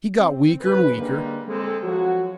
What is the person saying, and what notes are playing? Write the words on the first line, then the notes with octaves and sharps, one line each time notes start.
He got weaker and weaker.
C4
F#1 D#2 C#3 B4
D3 G3 G#3 A#3
G#3 C4 A4
F3 F#3 F#4